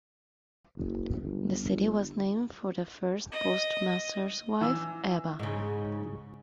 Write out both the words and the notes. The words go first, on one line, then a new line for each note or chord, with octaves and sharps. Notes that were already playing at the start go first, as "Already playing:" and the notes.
The city was named for the first postmaster's wife, Eva.
F#1
G1
G1
D#5
E3 E6
G#2 C#3